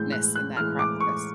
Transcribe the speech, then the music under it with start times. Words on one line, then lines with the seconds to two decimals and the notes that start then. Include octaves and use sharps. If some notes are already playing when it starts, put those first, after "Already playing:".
ness and that process.
Already playing: A2 E3 G#3 G6
0.12 F#6
0.36 F#6
0.57 A2 E3 G#3 F6
0.79 D6
1.00 C#6